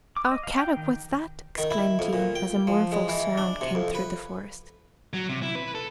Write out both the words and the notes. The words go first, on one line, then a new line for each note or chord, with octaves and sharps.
"Oh, Kadok, what's that?" exclaimed Jean, as a mournful sound came through the forest.
D6
D#5
F5
G5
D#3
D#3
E4
F2
A#2
G5
F3
G#3
E3
D4
C3
F2
B4
F#3
C3
E4
B4
A4